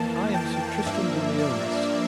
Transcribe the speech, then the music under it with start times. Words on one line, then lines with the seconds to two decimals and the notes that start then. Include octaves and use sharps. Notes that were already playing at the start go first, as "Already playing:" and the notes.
I am Sir Tristram de Liones.
Already playing: F2 E3 A#3 A5
0.34 G5
0.86 G2 F3 A#3 D4 E5
1.38 D5